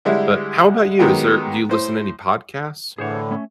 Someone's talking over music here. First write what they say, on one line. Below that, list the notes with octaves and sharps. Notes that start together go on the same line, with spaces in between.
But how about you, is there do you listen to any podcasts?
D3 G3 G#3 E4
D#3 F#3 G#3 B3 G4
A2 C5
A2 D3 E3 G#4 C5 C#5
A3 C#4